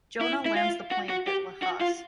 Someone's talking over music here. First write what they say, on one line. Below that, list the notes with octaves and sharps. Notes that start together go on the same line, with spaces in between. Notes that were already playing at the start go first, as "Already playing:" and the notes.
Jonah lands the plane at Lajes.
E4
E4
F4
F#4
F#4
G4
F#4
F4